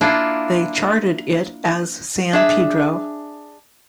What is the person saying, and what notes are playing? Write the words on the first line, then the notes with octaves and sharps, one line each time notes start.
They charted it as "San Pedro".
A#3 D4 E4 F4
D4 G#4 E5